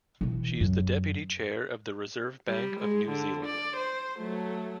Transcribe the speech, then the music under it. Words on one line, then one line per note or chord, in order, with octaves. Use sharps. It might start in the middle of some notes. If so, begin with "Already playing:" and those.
She is the deputy chair of the Reserve Bank of New Zealand.
B2 E3
F#2
G3
G#3
D3
D5
C5
F#3 A3